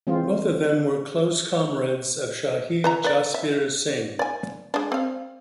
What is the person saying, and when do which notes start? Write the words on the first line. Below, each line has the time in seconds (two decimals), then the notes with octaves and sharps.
Both of them were close comrades of Shaheed Jasbir Singh.
0.07 E3 G#3 C4 F4
2.84 B4 E5 A#5
3.04 B4 D5
3.34 E5
4.19 D5 G#5
4.74 G#3 D4
4.92 C4 F5